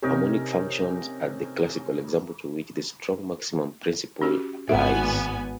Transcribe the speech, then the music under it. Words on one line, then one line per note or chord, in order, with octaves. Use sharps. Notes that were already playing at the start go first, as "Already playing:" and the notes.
Harmonic functions are the classical example to which the strong maximum principle applies.
C3 C#4 D#4 G4 A#4
C#4 F#4 G4
G#1 B3 E5 F#5 G#5